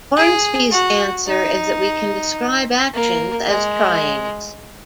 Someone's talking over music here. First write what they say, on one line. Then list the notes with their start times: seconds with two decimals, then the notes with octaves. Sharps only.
Hornsby's answer is that we can describe actions as tryings.
0.16 G#4
0.71 F#4
1.27 D#4
2.94 A#3
3.49 G#3